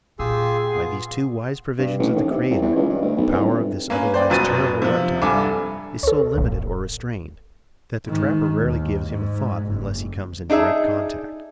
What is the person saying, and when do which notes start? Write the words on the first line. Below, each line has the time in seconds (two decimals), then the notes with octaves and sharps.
By these two wise provisions of the Creator the power of this otherwise terrible reptile, is so limited or restrained, that the trapper rarely gives him a thought unless he comes in direct contact.
0.19 A#2 F4 G4 G#4 E6
0.72 B3 F4
1.78 G2
1.99 A1
2.15 D#2
2.30 C3
2.50 C2
2.62 E2
2.76 C#2
2.90 G2
3.02 D2
3.17 B1
3.32 C2
3.45 G1
3.90 A#3 C#4 B4
4.14 C5 D5 G5
4.30 F#1 F#2 B2 A6 D#7
4.82 C3 F3
5.22 C2 G2 A4 G#5 D6
6.03 C#2 A4 C#5
6.38 D#1 A#1
8.05 G#2 D#3
8.61 D#2
9.06 G#2
9.66 F#1
10.50 D4 D#4 G#4 E5